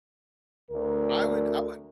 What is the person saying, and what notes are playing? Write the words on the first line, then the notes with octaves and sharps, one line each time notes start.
I would I would
D2 A#4